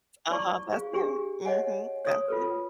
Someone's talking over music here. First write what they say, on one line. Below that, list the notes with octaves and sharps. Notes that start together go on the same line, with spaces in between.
Uh-huh, that's him. Mhm. That's him.
E4 D5 A5 A#5 C#6 D6
G#4 F5
D4 G4 G#4
C#5 D#5 F#5 G#5
C#5 D#6
F4 A4 B4